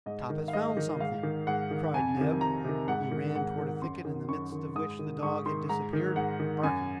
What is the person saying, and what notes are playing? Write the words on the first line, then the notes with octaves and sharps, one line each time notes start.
"Top has found something!" cried Neb, who ran towards a thicket, in the midst of which the dog had disappeared, barking.
G#2 D#5
D#3
F5
G#2 D#5
D#3
G#2 F5
D#3
G#2 F#5
D#3
F2 G#5
C3 D#3
F2 A#5
C3 D#3
G#2 F#5
D#3
G#2 F#5
D#3
F#2 C6
D#3
F#2 C#6
D#3
G#2 D#6
D#3
G#2 C#6
D#3 C6
G#2 A#5
D#3
G#2 F#5
D#3
F#2 G#5